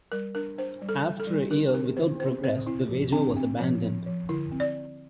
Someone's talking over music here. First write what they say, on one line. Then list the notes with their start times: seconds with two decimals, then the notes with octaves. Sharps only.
After a year without progress, the wager was abandoned.
0.12 G3 A#4
0.35 D4 A#4
0.58 D4 C5
0.81 G3
0.89 A4
1.05 G3
1.20 A4
1.27 G3
1.51 D3 A#4
1.74 C4 A#4
1.97 D3 C5
2.20 C4 C5
2.44 C4 C5
2.66 C4 E4
2.89 F3
3.13 C4 D4
3.36 C4
3.60 F3
3.82 F3
4.06 F3
4.29 D3 E4
4.51 C4
4.60 D5